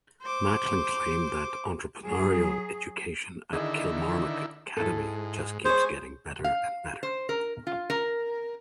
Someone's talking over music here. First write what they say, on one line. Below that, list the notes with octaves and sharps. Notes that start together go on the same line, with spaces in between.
Macklin claimed that "entrepreneurial education at Kilmarnock Academy just keeps getting better and better".
C5 D6
F#3 G#4
D3 D#3 E4 G#4 D#5
G#2 E4 A4
G#3 G#4 C5 C#5
F5
C5
A#4
F4
A#4